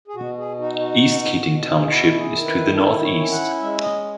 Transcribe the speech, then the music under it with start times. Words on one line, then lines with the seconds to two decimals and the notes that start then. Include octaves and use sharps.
East Keating Township is to the northeast.
0.08 G#4
0.15 B2 F#4
0.37 G#4
0.59 D#4 F#4
0.80 F#4
1.02 B2
1.45 B2
1.77 G#4
1.88 E4 F#4
2.17 G#4
2.31 D#3
2.46 B4
2.75 E4 A4
3.03 C#5
3.17 C#4
3.32 F#5
3.61 G#3 E5
3.72 E5
3.82 D#5